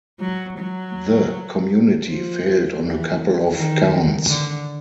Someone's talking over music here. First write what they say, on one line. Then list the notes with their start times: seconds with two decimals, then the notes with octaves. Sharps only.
The community failed on a couple of counts.
0.20 F#3
0.58 F#3
2.06 F3
2.80 E3
3.54 D#3
4.29 D3